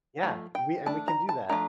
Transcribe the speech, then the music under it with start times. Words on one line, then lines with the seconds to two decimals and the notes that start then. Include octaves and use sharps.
Yeah, we and we can do that.
0.23 F3 A3
0.55 G5
0.86 A3 D4 A5
1.08 A#5
1.29 A5
1.49 F3 A3 D4 A#5